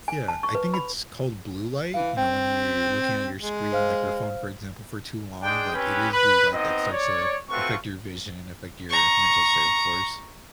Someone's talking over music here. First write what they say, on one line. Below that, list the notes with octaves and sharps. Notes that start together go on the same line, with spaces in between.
Yeah. I think it's called blue light, you know, when you're looking at your screen, like your phone, for example, for too long, like, it is blue light that starts to affect your vision and affect your mental state, of course.
G#5
A5
C#6
B4
B5
E3 F5
C4 G5
G#3
C5 F5 F6
G#3 D4 G#4 G5
C4 C#4 G4 B4
B4
B3 C4 D#4 D#5
C#5 D5
A3 C4 F4 F#4 B4 C#6
A#5 C#6